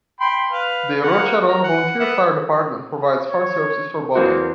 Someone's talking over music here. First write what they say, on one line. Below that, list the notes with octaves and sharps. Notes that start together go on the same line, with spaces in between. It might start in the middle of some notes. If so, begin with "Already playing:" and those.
The Rosharon Volunteer Fire Department provides fire services for Bonney.
G5 B5 C6
B4 F5
A#3 F5 F#5
A#4 A#5
F#5
B3 E5 F#5
C#5
E2 A#3 C4 F#4